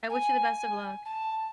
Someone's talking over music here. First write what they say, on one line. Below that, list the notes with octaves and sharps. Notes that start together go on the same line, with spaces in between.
I wish you the best of luck.
G#5
A5